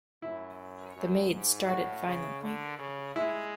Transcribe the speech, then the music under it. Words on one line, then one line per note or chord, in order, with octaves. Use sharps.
The maid started violently.
F#2 E4
F#2
G#2
A2 F#4
C#3
D3
C#3
G#3 E4